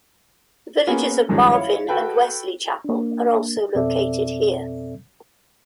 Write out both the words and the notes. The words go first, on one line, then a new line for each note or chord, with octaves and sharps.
The villages of Marvin and Wesley Chapel are also located here.
A#3 B3 C#4 G#4
G2 D#3 F3 G#3 C#4
E4 C#5 F5
F#4 A4 B4 G5
A#3 D4
F2 B2 C4 A4 D5 E5